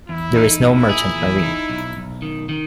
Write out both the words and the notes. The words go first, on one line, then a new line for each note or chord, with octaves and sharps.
There is no merchant marine.
E2 E4
D#4
A#2 E4
G#4
E2
D#4
B1
B1
D#3
D#3